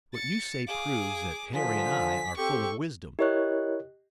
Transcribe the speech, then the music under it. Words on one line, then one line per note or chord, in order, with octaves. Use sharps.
What you say proves that Harry and I are full of wisdom.
A6 C#7
G#4 F5 D6
D3 F3 G#5 B6
C4 G4 A4 C#6
E4 G4 A#4 C#5 D#5 F#6